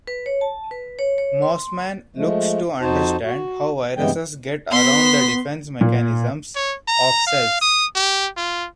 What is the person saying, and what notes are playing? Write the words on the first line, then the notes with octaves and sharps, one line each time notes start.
Mossman looks to understand how viruses get around the defence mechanisms of cells.
B4
C#5
A5
B4
C#5
C#5
C6
F3 G#3 A3
F2 D#4 F#4 C5 A5
F#4
G2 C3 E3 G#3 B3 G5
B3 C6 B6
A#2
C#5
A#5
F5
D#6
G4
F4